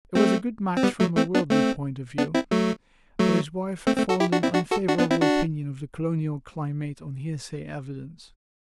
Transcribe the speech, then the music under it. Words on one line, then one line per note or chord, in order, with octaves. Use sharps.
It was a good match from a worldly point of view, but his wife formed an unfavourable opinion of the colonial climate on hearsay evidence.
A3 C4
C4
G3 B3
F#3 A3
A3 C4
B3 D4
A3 C4
B3 D4
C4 E4
F#3 A3
F#3 A3
A3 C4
A3 C4
F#4 A4
E4 G4
D4 F#4
C4 E4
D4 F#4
F#4 A4
D4 F#4
B3 D4
C4 E4
D4 F#4